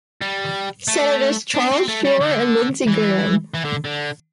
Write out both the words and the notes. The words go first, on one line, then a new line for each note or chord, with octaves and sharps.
Senators Charles Schumer and Lindsey Graham.
G3
A3
D4
C4
A3
G3
D3
E3
E3
D3
D3